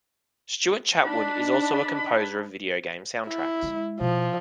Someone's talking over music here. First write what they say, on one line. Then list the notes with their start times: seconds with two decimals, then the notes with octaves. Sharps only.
Stuart Chatwood is also a composer of video game soundtracks.
1.05 D4 D#4 A5 B5 F#6
3.28 E4
3.63 G#3
4.00 B2 F3